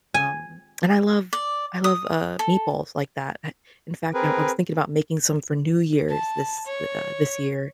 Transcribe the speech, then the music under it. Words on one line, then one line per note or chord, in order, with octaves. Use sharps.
um, and I love I love, uh, meatballs like that. I in fact, now, I was thinking about making some for New Year's this the, uh, this year.
G#5
D5
D#6
A4
C4 G#4 A#4 B4
A5
C#5